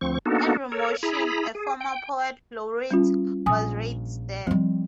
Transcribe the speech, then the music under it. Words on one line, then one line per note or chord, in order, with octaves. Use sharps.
Andrew Motion, a former Poet Laureate, was raised there.
D2 F3 C4 C#6
A#3 B3 D4 D#4 F#4 A4
A4 A#4 C#5
E4 G#4 A#5 B5
G#4
G5
G3 C#4 F4
A#1 G#5 D#6
F3 G3 C4